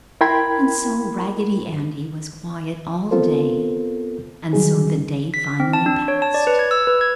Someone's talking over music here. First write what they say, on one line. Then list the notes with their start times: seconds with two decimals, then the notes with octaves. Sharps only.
And so Raggedy Andy was quiet all day, and so the day finally passed.
0.21 E4 A#4 G5 B5 C6 G#6
3.11 B3 C4 F4 A4 A#4 C5
4.53 D#3 F#3 G3 D#4 G#4
5.34 B6
5.60 C4
5.73 A5
5.86 D4
6.08 C#5
6.22 A5
6.34 D5
6.47 B4
6.59 G#6
6.71 E6
6.87 B4
7.01 G#6